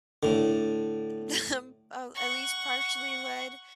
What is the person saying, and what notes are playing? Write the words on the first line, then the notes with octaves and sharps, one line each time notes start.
them uh, at least partially led,
A2 D3
F#5 C#6